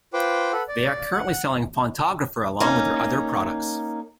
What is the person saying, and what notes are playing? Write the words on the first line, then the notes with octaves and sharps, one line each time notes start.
They are currently selling Fontographer along with their other products.
F4 B4 C5 G5 D6
A4 B4 F#5
D5
F#5
A#3 C#4 D#4